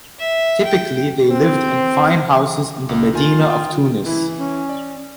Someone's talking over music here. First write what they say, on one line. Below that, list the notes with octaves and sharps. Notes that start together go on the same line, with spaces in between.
Typically they lived in fine houses in the medina of Tunis.
E5
G5
C4
C#2
D#3 F4 G#5
G5 D#6
E3 E4
C#4
D5